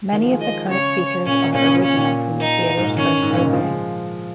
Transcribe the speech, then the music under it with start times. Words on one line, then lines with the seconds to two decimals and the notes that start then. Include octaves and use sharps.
Many of the current features are original from the theatre's first opening.
0.13 D#3
0.22 F3
0.31 G#3
0.41 F3 D#5
0.69 C#3 C#5
1.26 A#2 C#4
1.54 A#2 C#4
1.64 C#3
1.72 A#2
1.83 A#2 C#4
1.97 A#2
2.40 D#4
2.69 A#2
2.79 G#2
2.87 A#2
2.97 D#3 C#4
3.22 G#2
3.30 A#2
3.38 C#3
3.46 D#3
3.54 F3
3.64 G#3